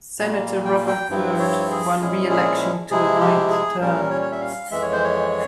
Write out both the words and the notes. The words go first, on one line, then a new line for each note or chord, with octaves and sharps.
Senator Robert Byrd won re-election to a ninth term.
A#2 G3 A#3
G5
G5
G2 F3 C4 E4
C#5
G#4
A#2 F3 G#3 C#4 E4 G#4
G#4
C3 F3 G#3 E4 G#4
G4
G#4
A#2 G3 C#4 A#4
C#5
C#5
E5
F5
F2 E3 G#3 E5
C#5
C5
C#5